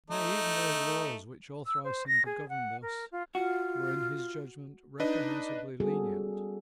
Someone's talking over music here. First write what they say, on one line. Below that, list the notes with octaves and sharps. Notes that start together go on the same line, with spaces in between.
Nay, even those laws which authorised him to govern thus were in his judgment reprehensibly lenient.
A3 D#4
E6
C5
A#6
G#4
F#5
A#4
F4
F4 F#4
D4 D#4 B4 D#5
G3 B3 C#4 F#4 G#4 A4